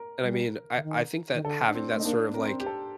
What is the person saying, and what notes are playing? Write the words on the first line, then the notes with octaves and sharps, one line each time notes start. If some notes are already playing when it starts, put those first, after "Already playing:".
And I mean, I I think that having that sort of like
Already playing: A#4
G3
D3
D#3
D#3
D3 A4
D4
C4
A3
D#4
A#3 D4
A#3
C4 A#4
C5
G4
A4